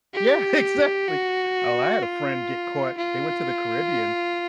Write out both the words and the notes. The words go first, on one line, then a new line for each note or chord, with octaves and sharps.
Yeah, exactly. Oh, I had a friend get caught They went to the Caribbean,
G4
F#4
F4
F4